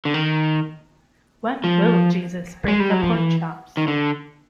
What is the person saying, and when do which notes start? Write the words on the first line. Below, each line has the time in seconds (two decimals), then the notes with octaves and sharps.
When Will Jesus Bring the Pork Chops?
0.05 D3
0.14 D#3
1.64 F3
2.68 G#3
2.80 G3
2.91 F#3
3.02 F3
3.13 E3
3.77 D#3
3.88 D3